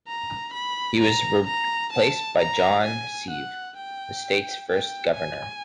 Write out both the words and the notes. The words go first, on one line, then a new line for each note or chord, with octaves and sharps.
He was replaced by John Sevier, the state's first governor.
A#5
B5
A#5
A#5
A5
A#5
G#5
F#5
G5
G5
G#5